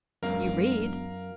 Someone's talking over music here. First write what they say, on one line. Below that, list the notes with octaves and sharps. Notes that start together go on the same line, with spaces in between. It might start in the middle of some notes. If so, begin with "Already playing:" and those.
"You read."
E1 F#2 A#4 F5